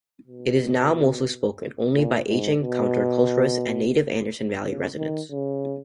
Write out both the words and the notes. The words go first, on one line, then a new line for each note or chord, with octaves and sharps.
It is now mostly spoken only by aging counter-culturists and native Anderson Valley residents.
B2
A#2
G#2
B2
C#3
D#3
C#3